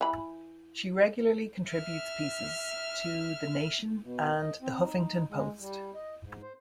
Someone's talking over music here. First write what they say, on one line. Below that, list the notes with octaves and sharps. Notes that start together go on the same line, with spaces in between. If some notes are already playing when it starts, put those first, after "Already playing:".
She regularly contributes pieces to "The Nation" and "The Huffington Post".
E3 B5
E5 F6
B2
D#5
C4
D#4
G#3
G3
D#5
G#2
C5